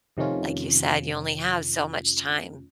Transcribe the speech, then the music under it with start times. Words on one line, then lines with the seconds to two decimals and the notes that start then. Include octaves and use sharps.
like you said, you only have so much time.
0.17 F2 C3 D#3 A3 C#4 F4